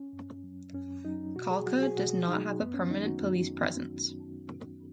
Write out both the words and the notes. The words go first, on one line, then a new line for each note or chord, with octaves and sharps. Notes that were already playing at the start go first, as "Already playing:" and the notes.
Kalka does not have a permanent police presence.
Already playing: C#4
F#2
F#3
F#2 C#4
F#3 D#4
B2 F#4
G#4
F#3 F#4
G#4
B2 F#4
F#3 D#4
F#2 B3
C#4
D#3 F#3 D#4
F#4
F#2